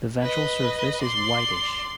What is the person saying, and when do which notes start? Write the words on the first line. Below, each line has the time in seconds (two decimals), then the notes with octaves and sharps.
The ventral surface is whitish.
0.22 B4 D#5
1.01 D5 C6